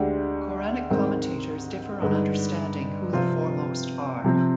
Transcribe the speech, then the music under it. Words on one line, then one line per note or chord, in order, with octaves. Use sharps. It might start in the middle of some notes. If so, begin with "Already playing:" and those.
Quranic commentators differ on understanding who the foremost are.
Already playing: D2 D3 G#3 D4 G4
G#2 D#3 G#3 C4
G2 D3 G#3 D#4
C3 F3 C4 F4
C3 F3 C4